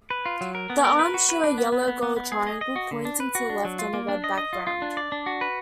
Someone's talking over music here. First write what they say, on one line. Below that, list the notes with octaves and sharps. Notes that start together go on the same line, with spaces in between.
The arms show a yellow-gold triangle pointing to the left on a red background.
B4
F4
F#3
A#4
B3
A#4
B4
F#4
B4
D4
B3
B3
B3
B3
B3
G#4
D#5
D#5
F#4
D3
D4
B4
F#4
D4
F#3
F4
A#3
D4
D#5
D#5
F4
F4
D4
D5
D4
F#4
B4